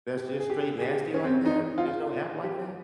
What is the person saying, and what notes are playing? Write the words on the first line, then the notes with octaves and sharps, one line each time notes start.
that's just straight nasty like that, there's no app like that?
G4
G#4
G4
G#4
G4
C#4
C4
D#4
F4
G4